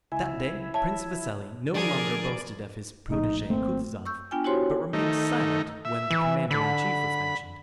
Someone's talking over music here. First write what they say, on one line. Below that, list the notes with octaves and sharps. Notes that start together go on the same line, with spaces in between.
That day Prince Vasili no longer boasted of his protege Kutuzov, but remained silent when the commander-in-chief was mentioned.
C#2 E4 G#5
C#5 E5 A5
D3 F3 G#4 A#4 D5
A#1 A2 D#4
G#1 A3 A#3 C4
C#6 E6 G6
B3 D4 F4 G5 G#5
E4 F#4 G4 C5 C#5 C6
D#3 A3 D#4
E5
E3
D3 B5